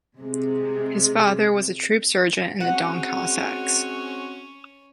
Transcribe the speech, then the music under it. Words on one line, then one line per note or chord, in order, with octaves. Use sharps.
His father was a Troop Sergeant in the Don Cossacks.
C3 G#3
G#3 C4 C#4 F#4 C#5 F#5